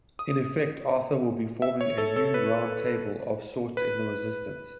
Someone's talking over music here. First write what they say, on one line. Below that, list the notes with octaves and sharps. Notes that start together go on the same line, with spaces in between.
In effect, "Arthur" will be forming a new "roundtable" of sorts in the resistance.
D#6
E5
C#5
A4
A4
B4
B4